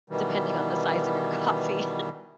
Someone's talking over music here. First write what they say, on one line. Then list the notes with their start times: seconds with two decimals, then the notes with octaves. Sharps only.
depending on the size of your coffee.
0.10 B2 D#3 E3 G3